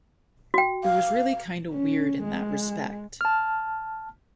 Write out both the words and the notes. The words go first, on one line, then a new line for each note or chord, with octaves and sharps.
It was really kinda weird in that respect.
F#4 G5
F5
C#4
G#3
A5 F6